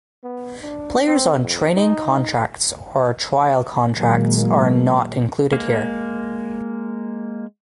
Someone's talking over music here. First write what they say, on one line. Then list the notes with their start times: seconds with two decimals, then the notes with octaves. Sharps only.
Players on training contracts or trial contracts are not included here.
0.24 B3
0.62 D4
1.06 C4
1.42 F2
1.76 D#4
3.94 A#2 D#3 F#3 G#3 A#3
5.53 G#3 A#3